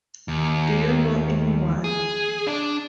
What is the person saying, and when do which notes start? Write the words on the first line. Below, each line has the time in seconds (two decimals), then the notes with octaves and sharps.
Do you know anyone?
0.28 D#2
1.84 G#4
2.47 D4 D5